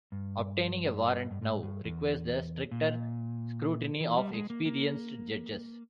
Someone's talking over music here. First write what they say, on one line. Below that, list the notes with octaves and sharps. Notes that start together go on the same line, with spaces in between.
Obtaining a warrant now requires the stricter scrutiny of experienced judges.
G2
G2
G#2
G2
E2
A#2
E3
G3
G#3
A#3
A#3